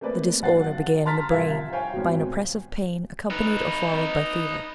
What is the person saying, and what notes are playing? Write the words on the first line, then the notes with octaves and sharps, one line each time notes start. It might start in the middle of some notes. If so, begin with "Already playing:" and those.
The disorder began in the brain, by an oppressive pain accompanied or followed by fever.
A3 A#3 C4 B4 D5
B1 F#5 A6 C7
A5 A#5 C6 F6 A6 B6
C2 F3 A#4 E5 F5 G#6
C5 C#5 F5 G5 G#5
G#1 B2
D#4 B4